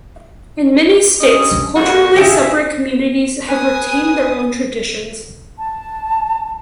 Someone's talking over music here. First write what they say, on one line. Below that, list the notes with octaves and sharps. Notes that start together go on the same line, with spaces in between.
In many states, culturally separate communities have retained their own traditions.
G2 C#4 D#5
F2 A#2 G3 F#4
G2 C#3 G4 G#4 E5 G5 A5
B4 G#5 D#6
A5